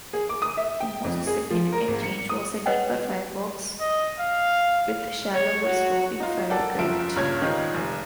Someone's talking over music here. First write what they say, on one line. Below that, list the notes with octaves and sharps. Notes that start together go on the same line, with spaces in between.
The most significant change was a deeper firebox with shallower sloping fire grate.
G#4
D6
D#6
E5
G5
F2
G#4
F3
A#4
G#1
C#7
D#6
B4 C#5 D#5 F#5 G5
D#5
F5
C#5
F#4
D#4 F4
A4 A#4 D5 F#5 G5
F#1 F3 E5 D7
C#2 G2 A#2 C#3 C#5 G#6
G#2 D#3 G3 D#4 F4
F1